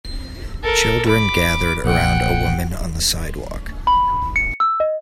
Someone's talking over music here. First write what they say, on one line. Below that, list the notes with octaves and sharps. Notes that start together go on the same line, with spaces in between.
Children gathered around a woman on the sidewalk.
A4 A#4
B5 D6
A#1 F#5 G5
B5
C#7
E6
D#5